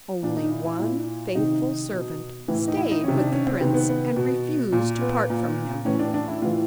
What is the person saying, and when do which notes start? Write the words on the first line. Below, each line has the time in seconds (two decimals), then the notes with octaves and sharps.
Only one faithful servant stayed with the prince and refused to part from him.
0.23 A#2 D4
0.37 D#4
0.51 E4
0.65 E4
0.80 A#2
1.35 C3 D#3 D#4
1.92 B2
2.48 A2 E3 E4
2.68 D#4
2.77 E4
2.91 D#4
3.04 C3 D#3 C#4
3.18 D4
3.32 C#4
3.47 C4
3.61 C3 D#3 B3
3.74 B3
3.89 B3
4.16 B2
4.72 A#2
5.01 B3
5.30 A#2
5.85 A2 E3 C#4
5.99 D4
6.14 D4
6.28 E4
6.42 A2 E3 F4